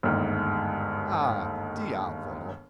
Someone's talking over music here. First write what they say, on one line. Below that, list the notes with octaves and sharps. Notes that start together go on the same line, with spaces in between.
Ah! diavolo!
G1 D#2 G#2